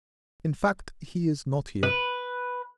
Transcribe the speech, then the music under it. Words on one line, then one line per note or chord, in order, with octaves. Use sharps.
"In fact, he is not here...."
B4